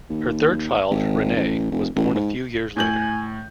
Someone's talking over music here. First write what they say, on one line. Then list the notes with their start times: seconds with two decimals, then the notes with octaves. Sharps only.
Her third child, Rene, was born a few years later.
0.09 D#2
0.91 G#1
1.36 A1
1.71 F1
1.96 A1
2.15 G#2
2.77 A2 G#5 G6 F#7